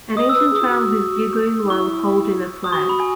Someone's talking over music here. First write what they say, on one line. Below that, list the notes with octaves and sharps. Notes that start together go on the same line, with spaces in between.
An Asian child is giggling while holding a flag.
D#5 D#6
E6
B4
E6
G#4 D#6
E4
F#4
D#4
E4 C#6
D#6
F#4 C#6
B5
G#5